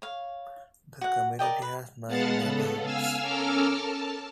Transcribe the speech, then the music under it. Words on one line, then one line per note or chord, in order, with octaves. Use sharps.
The community has nine neighbourhoods.
C#5 F5
F#4 F#5
A#4 D5 D#5 G5
B4
G#3 B3 F5 F#5 A5 A6
C#3 B3 A4
F5 G#5 E6 F6
C#4 A4 A#4 D6 E6 F6
A5